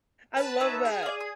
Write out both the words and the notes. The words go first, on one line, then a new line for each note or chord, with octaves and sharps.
I love that.
B4 A5
D#4 C#5 E5
G#4
D5 F5
D#6